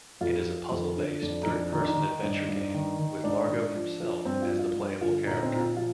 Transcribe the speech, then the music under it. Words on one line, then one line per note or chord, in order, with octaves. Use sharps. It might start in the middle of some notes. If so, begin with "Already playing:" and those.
It is a puzzle-based third-person adventure game with Largo himself as the playable character.
F2 F4
F3
F2
D3
F2 D4
D#4
F2 D4
D#3 D#4
D4
D#4
D#3
G2
G2
D#3
D#3
G#2 D4
G#2
F3
F3
G2 C4
F4
F3
F4
G2
D3 F4
A#2 D#4
C4
A#2 D#4
F4
F3 F4